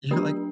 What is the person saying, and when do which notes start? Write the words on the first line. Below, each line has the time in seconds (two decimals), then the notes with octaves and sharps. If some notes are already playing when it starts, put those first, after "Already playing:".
You're like
0.11 F#3 B3 D4 G4